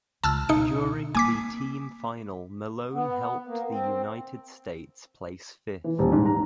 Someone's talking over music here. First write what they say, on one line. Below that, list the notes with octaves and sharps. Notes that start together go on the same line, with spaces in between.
During the team final Malone helped the United States place fifth.
C#2 A5 E6 F6
B2 D#4 C#7
A#3 C4 G#5 D6 B6
B3
A#3
C4
E3
D#1
G#2
A#5